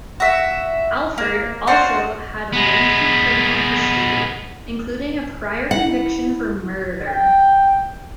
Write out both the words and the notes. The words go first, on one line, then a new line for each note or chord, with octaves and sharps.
Alford also had a lengthy criminal history, including a prior conviction for murder.
F#4 E5
A#3
D4 F4 F#4 C5
G#3 B3
E4 F#5
G5